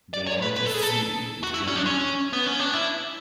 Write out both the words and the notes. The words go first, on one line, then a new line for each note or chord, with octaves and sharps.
The largest city is Jammu.
D5
C#5
B4
B4
A4
G#4
A4
F#4
E4
C#4
D4
C#4
B3
C#4
D4
E4